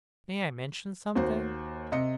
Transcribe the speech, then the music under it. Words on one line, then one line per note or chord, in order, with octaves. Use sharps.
May I mention something?'
D#2 F#4 C5
C3 D#5 C#7